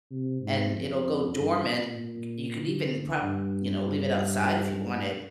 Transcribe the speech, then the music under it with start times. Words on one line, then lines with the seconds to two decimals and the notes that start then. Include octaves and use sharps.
and it'll go dormant, c you could even prob you know, leave it outside if you wanted,
0.11 C3
0.41 G#2
0.74 F2
1.35 G2
1.67 A#2
1.98 A#2
2.59 D3
3.22 G2